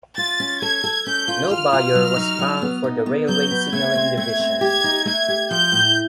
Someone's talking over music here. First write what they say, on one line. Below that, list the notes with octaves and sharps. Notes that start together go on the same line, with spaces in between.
No buyer was found for the railway signalling division.
F4 A6
C#4
A4 G#6
A4
C#4 G6
F4
F4 F6
F4
F#3
D#4
F#3
B3
D#4
B3
F#3 G6
B3
A3 G#6
C4
A3 G#6
C4
G4 G#6
D#4
A3 G#6
G4
F3 G6
A2